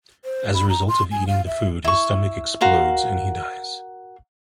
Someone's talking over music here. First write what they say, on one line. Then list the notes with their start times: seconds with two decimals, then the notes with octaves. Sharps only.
As a result of eating the food, his stomach explodes, and he dies.
0.25 C5
0.54 B5
0.69 A#5
0.88 C6
1.12 G#5
1.28 F5
1.47 E5
1.84 E4 C#6
2.61 F#4 A#4 F5 C6